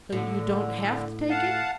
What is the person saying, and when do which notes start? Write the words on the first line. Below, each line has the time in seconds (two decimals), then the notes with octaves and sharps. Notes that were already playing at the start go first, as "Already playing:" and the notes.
So you don't have to take it.
0.12 A2 D3
1.30 F5 F#5 A5